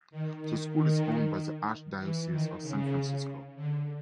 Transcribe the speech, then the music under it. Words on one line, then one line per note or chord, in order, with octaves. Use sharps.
The school is owned by the Archdiocese of San Francisco.
D#3
D#3
D#3
E3
D#3
C#3
D3